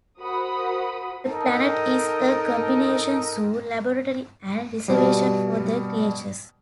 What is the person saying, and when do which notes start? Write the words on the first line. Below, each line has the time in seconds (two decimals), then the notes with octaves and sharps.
The planet is a combination zoo, laboratory, and reservation for the creatures.
0.20 F#4 A#4 C5 F#5 B5 D#6
1.26 D#4 A4 A#4 D#5 G5
4.88 B2 G3